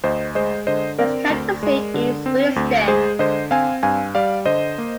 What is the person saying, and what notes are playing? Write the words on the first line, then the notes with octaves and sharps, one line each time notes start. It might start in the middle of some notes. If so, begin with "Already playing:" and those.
Its county seat is Williston.
D2 C5 D#5
G#3 C5 D#5
D3 C5 D#5
C4 A#4 D5
D2
G#3
D3
C4
D2
G#3 G#4 C5
D3 C5 D#5
C4 F5 G#5
G2 F5 G#5
G3 D5 F5
D3 C5 D#5
A#3